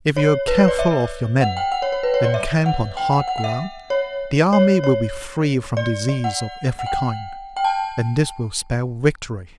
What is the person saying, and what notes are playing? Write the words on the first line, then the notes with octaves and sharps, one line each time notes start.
If you are careful of your men, and camp on hard ground, the army will be free from disease of every kind, and this will spell victory.
C#5
B4
C#5
D5
E5
F#5
G5
F#5
C#5
C#5
B4
C#5
D5
E5
F#5
G5
F#5
F#5
F#5
E5
C#5
C#5
C#5
D5
D5
F#5
F#5
G5
G5
A5